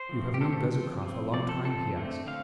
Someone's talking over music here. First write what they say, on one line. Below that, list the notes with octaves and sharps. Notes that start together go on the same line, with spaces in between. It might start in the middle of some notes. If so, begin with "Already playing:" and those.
"You have known Bezukhov a long time?" he asked.
Already playing: C5
F3 A3 C4
G4
F3 A3 C4 A4
F3 C4
F3 C4
F3 C4 D5
A4
F3 C4 A4
D3 A3 C4
D3 A3 C4 F5